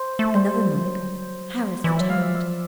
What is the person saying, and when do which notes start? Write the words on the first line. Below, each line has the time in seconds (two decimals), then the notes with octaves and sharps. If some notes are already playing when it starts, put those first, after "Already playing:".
Another knock: Harris returned.
Already playing: C5
0.19 A3
0.35 G3 C5
0.75 F3
0.85 F#3
1.84 E3 D5
1.97 F#3 E5
2.09 F5
2.18 F3 E5
2.35 E5